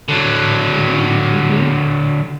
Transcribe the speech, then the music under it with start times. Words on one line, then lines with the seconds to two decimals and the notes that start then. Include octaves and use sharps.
Mm, mhm.
0.09 D3 F#3